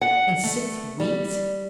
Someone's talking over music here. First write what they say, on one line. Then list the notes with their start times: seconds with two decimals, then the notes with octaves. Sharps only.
"In six weeks?"
0.01 F#5
0.44 A3
1.00 G3